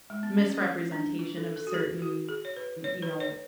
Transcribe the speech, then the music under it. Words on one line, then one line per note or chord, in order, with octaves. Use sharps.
misrepresentation of certain, you know,
G#3
B3
C#4
C#4
D4
F4
A4
A4
F#4
G#4
F#4
G#4
C#5
B4
C#5
B4
C#5